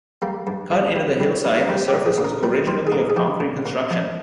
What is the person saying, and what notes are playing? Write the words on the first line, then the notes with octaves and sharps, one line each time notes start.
Cut into the hillside, the surface was originally of concrete construction.
G3 A#3
G2
G2
G3
G3
G2
A#3
G3 C4
G4
A#2
G#4
A#2
A#4
G3 A#4
G3 C5
G#4
A#2 A#4
G#4
F3 G4
A#2
A#2
F3